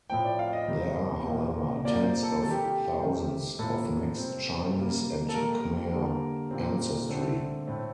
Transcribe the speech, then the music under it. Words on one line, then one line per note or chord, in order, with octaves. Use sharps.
There are, however, tens of thousands of mixed Chinese and Khmer ancestry.
A2 F3 A3 C4 G5
D5
F5
D#5
C3 D#3 G3
A#2 F3 C4
C3 F3 A#3 D5
C5
A4
C3 D#3 G3 A4
G4
G4
D#3 A3 C4
A2 F3 A#3 A4
C3 G3 C4
C3 G3 A#3
A4
D#3 G3 A#3 A#4
D3 G3 A#3
A#2 G3 C4
D3 A3 C4
A2 A3 C4